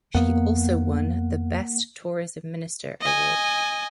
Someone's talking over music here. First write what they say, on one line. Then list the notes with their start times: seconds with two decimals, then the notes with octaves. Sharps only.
She also won the "Best Tourism Minister" award.
0.15 F2 A#3 B3 F#5
3.01 D#5 G#5